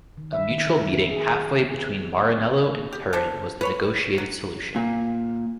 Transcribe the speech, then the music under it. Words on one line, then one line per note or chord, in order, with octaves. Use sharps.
A mutual meeting halfway between Maranello and Turin was the negotiated solution.
D#3
E5
D#3
G#4
B3
F3
C4
D#3
G4
D4 A4 C5
B4 C#5 B5
F#3
A#2